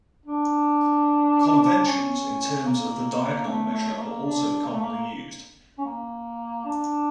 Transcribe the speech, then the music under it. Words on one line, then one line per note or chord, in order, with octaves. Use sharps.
Conventions in terms of the diagonal measure are also commonly used.
D4
C#4
A#3
A3
A3
A3
A#3
D4
A#3
A3
A#3
C#4
A#3
D4